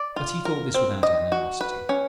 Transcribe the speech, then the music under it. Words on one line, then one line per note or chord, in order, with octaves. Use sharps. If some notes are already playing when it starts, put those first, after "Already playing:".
But he thought this without animosity.
Already playing: D5
F4
A#4
C4
D#5
F#4
B4
C#4